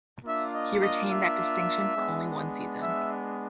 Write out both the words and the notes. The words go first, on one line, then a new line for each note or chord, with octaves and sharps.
He retained that distinction for only one season.
A#3 D4 F4 E5
D#5
D#5
E5
G#3 B3 D4
E5